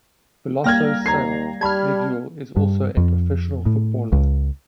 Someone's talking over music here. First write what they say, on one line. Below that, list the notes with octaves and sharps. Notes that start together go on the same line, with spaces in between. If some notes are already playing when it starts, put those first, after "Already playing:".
Veloso's son, Miguel, is also a professional footballer.
G3 A#3 G5 F6 G#6 A#6
D#2 A#5 G#6 C7
G3 A5 B5 F6 G#6
G2
F2
A2
C#2